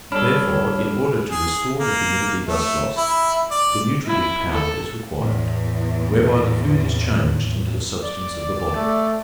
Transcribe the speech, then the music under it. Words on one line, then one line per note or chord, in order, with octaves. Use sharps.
Therefore, in order to restore the humidity thus lost, the nutritive power is required, whereby the food is changed into the substance of the body.
G2 D4 A4 C#5 B5 F6
G#4
A#3
A3
E4
D5
E4
A4
E2 A2
D5
A3